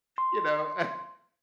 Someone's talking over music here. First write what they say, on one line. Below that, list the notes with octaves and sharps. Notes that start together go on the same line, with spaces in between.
you know. Uh
C6